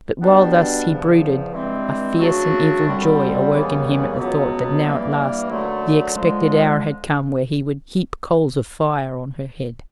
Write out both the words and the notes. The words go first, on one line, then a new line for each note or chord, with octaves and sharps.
But, while thus he brooded, a fierce and evil joy awoke in him at the thought that now at last the expected hour had come when he would heap coals of fire on her head.
B2 G3 B3 D4
E2 C#3 F3
G2 E3 G#3 C4
C#3 F#3 A3 D4 F#4
F#2 D3 G3 C4
D#2 C#3 E3 G3 B3
C#2 B2 F#3 B3
G2 E3 G3 A#3
F#2 D3 F#3 A3
D3 F3 G#3